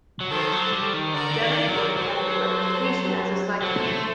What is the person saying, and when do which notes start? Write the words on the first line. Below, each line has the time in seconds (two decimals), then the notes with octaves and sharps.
Devenport had a reputation as a psychic.
0.21 F#3
0.31 D#3 A4 C5
0.52 F#3
0.73 G3
0.93 D#3
1.14 D3 A#4 D5
1.31 D3
1.41 D#3
1.69 F#3
1.96 F#3 A4 C5
3.61 F#3 A4 C5
3.83 A3